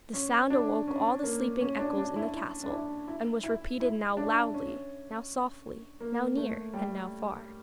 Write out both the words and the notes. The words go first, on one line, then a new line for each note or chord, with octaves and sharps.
The sound awoke all the sleeping echoes in the castle, and was repeated now loudly, now softly; now near, and now far.
C#4
D4
C#4
A#3
C#4
D4
D4
E4
E4
D4
E4
E4
E4
E4
D4
C#4
A#3
A3
G3